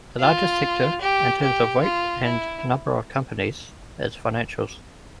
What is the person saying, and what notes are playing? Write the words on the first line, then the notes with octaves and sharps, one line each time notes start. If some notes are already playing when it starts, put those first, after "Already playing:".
The largest sector, in terms of weight and number of companies, is financials.
F4
G4
G4
F4
E4